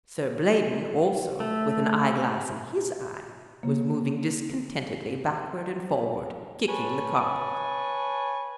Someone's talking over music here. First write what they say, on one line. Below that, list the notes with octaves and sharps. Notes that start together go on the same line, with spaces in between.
Sir Blaydon also, with an eyeglass in his eye, was moving discontentedly backward and forward, kicking the carpet.
A3
C#3 A#3
B4 C#5 G#5 A5